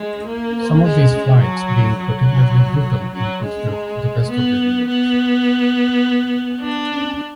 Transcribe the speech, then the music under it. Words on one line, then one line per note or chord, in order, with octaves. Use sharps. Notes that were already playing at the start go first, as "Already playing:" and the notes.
Some of these fights being particularly brutal and considered the best of their year.
Already playing: G#3
A#3
G#3
F#3
F#3
F#3
G#3
B3
B3
D4